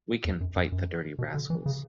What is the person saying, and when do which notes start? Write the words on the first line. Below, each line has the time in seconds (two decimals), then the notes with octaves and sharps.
We can fight the dirty rascals.
0.25 E2
0.40 F#2
0.56 F#2
0.72 F#2
1.19 B2
1.34 D3
1.50 E3
1.66 C#3